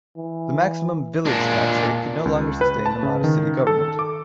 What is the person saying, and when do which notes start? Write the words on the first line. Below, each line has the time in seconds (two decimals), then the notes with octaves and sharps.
The maximum "Village" tax rate could no longer sustain the modest city government.
0.17 E3
1.25 A#2 G#3 D4
2.25 C#2
2.61 B4
2.86 A5
3.03 C#3
3.24 D#3
3.67 A4
3.99 D6